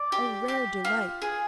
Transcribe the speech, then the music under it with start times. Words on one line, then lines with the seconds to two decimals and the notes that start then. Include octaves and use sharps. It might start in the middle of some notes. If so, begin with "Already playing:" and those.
Oh, rare delight!
Already playing: D5
0.12 G4
0.48 G4
0.85 F4
1.22 G#4